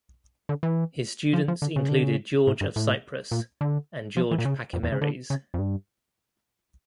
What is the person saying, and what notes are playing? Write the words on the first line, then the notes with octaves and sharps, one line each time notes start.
His students included George of Cyprus and George Pachymeres.
D3
E3
F3
F3
D3
C#3
D3
C#3
A2
G2
A2
A#2
D3
F3
E3
A#2
C#3
F2
E2
C#3
D3
C#3
F2
G2